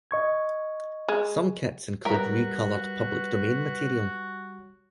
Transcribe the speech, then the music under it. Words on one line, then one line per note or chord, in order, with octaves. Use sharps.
Some kits include re-colored public domain material.
D#5 C#6 G#6
G#3
G3 F#4 A#4 B4 C#5 B5